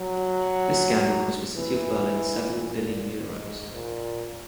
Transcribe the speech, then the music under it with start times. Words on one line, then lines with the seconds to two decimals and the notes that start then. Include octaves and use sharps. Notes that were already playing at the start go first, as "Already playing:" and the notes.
This scandal cost the city of Berlin several billion euros.
Already playing: F#3
1.57 E3
2.65 A#2
3.19 G#2
3.74 A#2